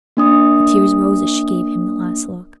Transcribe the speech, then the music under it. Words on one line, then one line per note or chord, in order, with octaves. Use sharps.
The tears rose as she gave him the last look.
A#3 D4 D#6